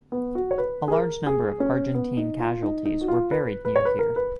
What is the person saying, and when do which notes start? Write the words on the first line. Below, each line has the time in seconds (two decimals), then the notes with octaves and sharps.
A large number of Argentine casualties were buried near here.
0.12 B3
0.35 F#4
0.51 C#5
0.58 B4
0.88 G#4
0.92 A#4
1.27 G#4
1.60 C#4
1.94 B3
2.17 D#4
2.40 F4
2.63 D#4
2.85 D#4
3.01 F#4
3.08 F4
3.31 B4
3.65 B4
3.76 C#5
3.85 B4
3.99 A#4
4.16 B4